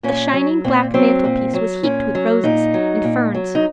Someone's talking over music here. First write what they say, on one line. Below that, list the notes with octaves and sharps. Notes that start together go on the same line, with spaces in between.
The shining black mantelpiece was heaped with roses and ferns.
A#2 C#4
F#3
A#2 C4
F#3 C4
A#2
F#3
A#2 C#4
F#3
A#2 D#4
F#3
A#2
F#3
D#4